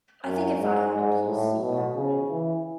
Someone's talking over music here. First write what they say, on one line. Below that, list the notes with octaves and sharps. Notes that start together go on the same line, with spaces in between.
I think if I had a PC, I would
F#2
G#2
G#2
A2
B2
C#3
E3